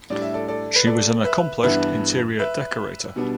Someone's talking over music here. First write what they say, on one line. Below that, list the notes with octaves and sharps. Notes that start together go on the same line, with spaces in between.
She was an accomplished interior decorator.
A2 G3 D4 D5
E5
A4 D5
A4 D5
B4
A4 D5
B4 E5
G2 E3 B3 D4 B4 E5
B4 E5
B2 G3 B3 D4